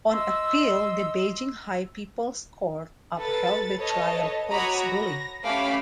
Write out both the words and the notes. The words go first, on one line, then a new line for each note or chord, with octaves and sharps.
On appeal, the Beijing High People's Court upheld the trial court's ruling.
D#5 C6 E6
A4 B4 A6
A4 B4 C#5 D#5 A5
F#4 C#5 A#5 B5 D6 D#6
A#6
A3 C#4 G4 F5 B5 D6